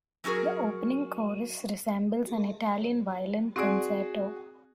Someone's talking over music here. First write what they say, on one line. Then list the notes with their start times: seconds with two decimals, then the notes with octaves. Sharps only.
The opening chorus resembles an Italian violin concerto.
0.24 F#3 C#4 F#4 G#4 A#4
3.56 C4 F#4 G#4 D5